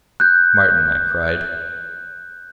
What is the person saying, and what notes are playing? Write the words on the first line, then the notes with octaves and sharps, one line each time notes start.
"Martin," I cried.
F#6 G6